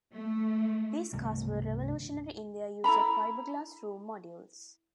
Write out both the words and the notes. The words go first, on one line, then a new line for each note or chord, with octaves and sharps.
These cars were revolutionary in their use of fiberglass room modules.
A3
C2 G2 D#3 A3
E4 A4 A#5 B5